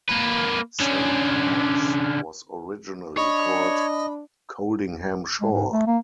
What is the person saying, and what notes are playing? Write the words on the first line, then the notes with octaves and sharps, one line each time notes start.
Saint Abbs was originally called Coldingham Shore.
A#3 B4
D3 C#4
D4 C#5 D#5 B5
G#3
G#2
A3
A#3